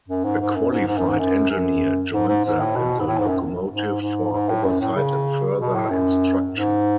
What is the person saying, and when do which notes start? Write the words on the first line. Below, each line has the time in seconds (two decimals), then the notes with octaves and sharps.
A qualified engineer joins them in the locomotive for oversight and further instruction.
0.08 F#2
0.24 G#2
0.40 G#2
0.56 F#2
0.71 G#2
0.87 G#2
0.98 F#2
1.09 G#2
1.19 F#2
1.50 F#2
2.13 G#2
2.29 G#2
2.44 G#2
2.60 A2
2.76 B2
3.00 G#2
3.07 A2
3.18 G#2
3.28 F#2
3.70 G#2
4.02 G#2
4.33 G#2
4.49 A2
4.65 F#2
4.80 A2
4.96 C#3
5.59 B2
5.75 A2
5.90 F#2
6.53 G#2